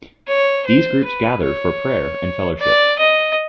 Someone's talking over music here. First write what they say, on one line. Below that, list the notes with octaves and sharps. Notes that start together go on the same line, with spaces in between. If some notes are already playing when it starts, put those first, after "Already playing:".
These groups gather for prayer and fellowship.
C#5
C5
B4
C#5
D5
D#5